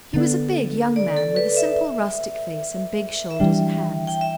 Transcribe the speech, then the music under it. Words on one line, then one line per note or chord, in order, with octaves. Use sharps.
He was a big, young man with a simple rustic face and big shoulders and hands.
D3 B3 D4 A4
D5
A4
B4
E5
E5
E3 G3 D4 G5
G5
E5